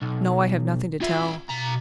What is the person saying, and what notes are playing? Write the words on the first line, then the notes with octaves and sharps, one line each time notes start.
"No, I have nothing to tell."
B1
F4 E5
B2 A#5